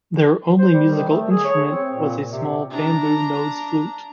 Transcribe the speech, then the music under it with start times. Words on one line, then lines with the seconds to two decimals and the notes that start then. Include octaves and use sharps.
Their only musical instrument was a small bamboo nose flute.
0.59 C5
0.73 G3
0.91 D#3
1.07 A3
1.31 G#4
1.44 C#5
1.68 C4
1.92 A#2
2.32 C3
2.71 D4 A#5